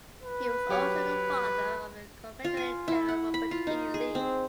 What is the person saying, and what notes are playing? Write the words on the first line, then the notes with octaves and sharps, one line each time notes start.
He was also the father of the Confederate General Robert E. Lee.
B4
F#3 G4 C#5
F4
G#5
E4
F#5
B5
F4
D#4
G#4
C4